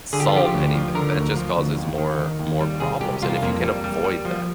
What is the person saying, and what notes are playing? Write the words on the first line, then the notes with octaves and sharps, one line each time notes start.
solve anything. That just causes more more problems, and if you can avoid that,
D3 G#4
G4
F4
F3 G4
D2
F3
D3 A#4
D2
F3
D2
D#2
D#3
D#3
D#2
G3
C3 G#4
C2 G4
C2 F4
F2 A#3
G3
G3
G3
F3